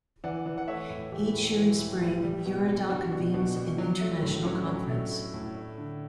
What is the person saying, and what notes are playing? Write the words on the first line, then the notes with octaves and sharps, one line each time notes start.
Each year in Spring, Eurodoc convenes an international conference.
E3 D5 F#5
E3
F#5
A3 C#5 E5
A2
E3 E4 G4
A2
E3
A2
G3
G3
B2
G3
G3 D4 F#4
B2
B2 D4
B2
F#3 D4
A3
A2 D4
F#3 C#4
F#3 D4
A3
A3
A2
A3
D3